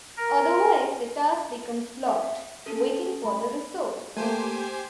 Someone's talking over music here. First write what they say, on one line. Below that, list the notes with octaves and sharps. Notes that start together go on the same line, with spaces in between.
Otherwise the task becomes blocked, waiting for the resource.
A#4
E5
C#4 A4
A3 B5
A3 A#3 G4 C5 G#5